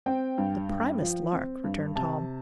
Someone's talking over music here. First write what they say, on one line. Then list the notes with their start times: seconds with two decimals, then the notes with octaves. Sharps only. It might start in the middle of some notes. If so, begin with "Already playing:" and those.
"The primest lark," returned Tom.
0.06 C4 G5
0.38 G2
0.69 G2
1.01 F3
1.32 C4
1.64 G2
1.95 C3 A5